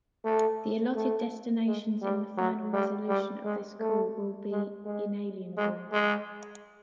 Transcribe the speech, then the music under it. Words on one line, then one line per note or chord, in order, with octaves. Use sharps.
The allotted destinations in the final resolution of this call will be inalienable.
A3
A3
G#3
G3
F#3
G3
G3
G#3
A3
G#3
G#3
G#3
G#3